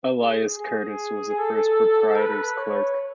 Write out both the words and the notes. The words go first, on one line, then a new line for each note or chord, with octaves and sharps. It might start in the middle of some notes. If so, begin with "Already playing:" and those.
Elias Curtis was the first proprietors' clerk.
G#4
G#4
A4
B4
C#5